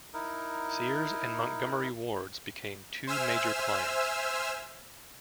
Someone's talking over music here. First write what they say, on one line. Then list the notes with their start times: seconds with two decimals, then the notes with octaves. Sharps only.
Sears and Montgomery Wards became two major clients.
0.14 D#4 E4 A#4
3.07 C5 E5 G#5 E6 F6